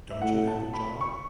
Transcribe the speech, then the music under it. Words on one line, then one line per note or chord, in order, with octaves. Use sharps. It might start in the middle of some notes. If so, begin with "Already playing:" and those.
Don’t you have a job?
E5
A2 F#5
A5
B5
C#6